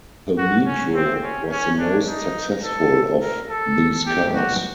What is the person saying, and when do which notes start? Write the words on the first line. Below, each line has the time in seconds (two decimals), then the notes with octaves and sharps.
The Metro was the most successful of these cars.
0.38 F#4
0.66 C#4
0.94 C4
1.23 C#4
1.50 C#4
1.79 D4
2.08 D#4
2.64 A4
3.21 A#4
3.49 A4
4.06 G4
4.34 F#4